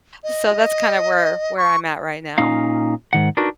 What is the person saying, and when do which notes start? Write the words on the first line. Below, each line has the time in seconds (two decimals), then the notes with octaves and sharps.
So, that's kinda where where I'm at right now.
0.24 D#5
1.57 C#6
2.38 A#2 C#4 D#4 F5
3.13 G#2 D#3 F#5
3.37 D4 D#4 F#4 A#4 B4